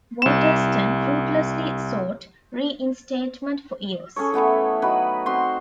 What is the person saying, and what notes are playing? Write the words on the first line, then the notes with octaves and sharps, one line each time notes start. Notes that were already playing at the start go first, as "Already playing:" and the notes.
Watterston fruitlessly sought reinstatement for years.
C2 E7
C#4 G#4 A4 C#5
E3 A3 B3 E4
F#3 D#4 B4 B5
C4 F#4 C6